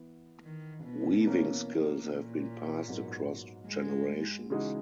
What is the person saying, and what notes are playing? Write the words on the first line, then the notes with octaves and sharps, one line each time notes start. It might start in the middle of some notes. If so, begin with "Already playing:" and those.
Weaving skills have been passed across generations.
Already playing: E3 B3 E4
D#3
B2
E3 A#3 C#4
A#2
G#2 F#3 B3 F#4 A#4
G#3
C#3 E3 G#3 D#4 F#4